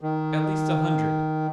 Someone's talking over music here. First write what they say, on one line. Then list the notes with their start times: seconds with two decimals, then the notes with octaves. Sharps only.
"At least a hundred."
0.01 D#3